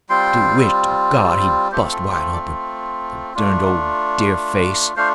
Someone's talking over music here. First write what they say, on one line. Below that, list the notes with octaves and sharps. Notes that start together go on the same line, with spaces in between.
I do wish to God he'd bust wide open, the durned old deer-face!
G3 C4 F4 G5 C6
A3 C4 F4 G4 C5
A4
G4
A4 D5
A3 D4 F4
A3 D4 F4 C5 F5